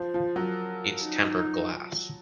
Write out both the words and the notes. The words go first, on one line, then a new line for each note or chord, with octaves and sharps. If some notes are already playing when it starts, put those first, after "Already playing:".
It's tempered glass.
Already playing: F3 C5
F3
F#3 A#4
D#4